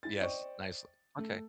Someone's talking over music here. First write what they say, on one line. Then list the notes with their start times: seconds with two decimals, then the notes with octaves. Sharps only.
Yes, nicely. Okay.
0.03 E4 A6
0.21 C5 D5 D#5 G5 C#6
1.19 A3